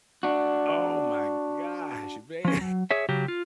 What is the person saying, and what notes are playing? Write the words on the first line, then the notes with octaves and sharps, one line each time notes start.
Oh my gosh, man,
D4 F#4
F3 C#4
F#3
G#4 C#5 E5
C#3 F#3 G4
F4